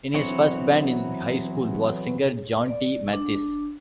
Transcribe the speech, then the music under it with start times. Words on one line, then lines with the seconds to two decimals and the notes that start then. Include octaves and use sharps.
In his first band in high school was singer Johnny Mathis.
0.14 E3 F#3 B3 C4 C#6
2.68 D5
3.13 D4